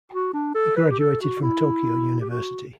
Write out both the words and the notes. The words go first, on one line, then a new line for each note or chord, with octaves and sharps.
He graduated from Tokyo University.
F#4
D4
A4
B4
G4
A4
F#4
E4
G4
F#4